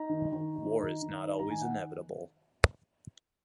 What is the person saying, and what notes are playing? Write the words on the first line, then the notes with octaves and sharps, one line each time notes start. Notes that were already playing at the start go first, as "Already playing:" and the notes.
War is not always inevitable.
Already playing: D#4 A#5
D#3
D#3
D#4
D#3
D#3
D#4
A#5
D#3 G#5
F#5